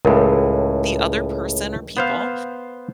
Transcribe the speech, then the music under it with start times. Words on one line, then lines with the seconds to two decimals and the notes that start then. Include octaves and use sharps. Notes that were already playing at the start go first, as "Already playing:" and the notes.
the other person, or people,
0.05 C#2 A2 A#4
1.97 B3 C5 F5